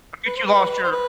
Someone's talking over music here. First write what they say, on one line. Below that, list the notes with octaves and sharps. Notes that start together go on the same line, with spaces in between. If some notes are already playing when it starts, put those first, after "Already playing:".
I think you lost your,
B4
C5
B4
B4
C5
B4